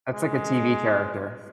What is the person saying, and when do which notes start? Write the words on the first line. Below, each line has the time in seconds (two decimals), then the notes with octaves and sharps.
That's like the TV character.
0.12 G#3